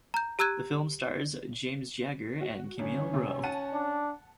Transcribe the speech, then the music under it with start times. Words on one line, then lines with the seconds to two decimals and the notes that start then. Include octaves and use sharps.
The film stars James Jagger and Camille Rowe.
0.14 A#5 G6
0.39 G4 A#5 E6 F#6 G#6 D#7
2.41 F#4
2.79 G1 C#4
3.13 C3
3.43 F#5 A5 D#7
3.73 D4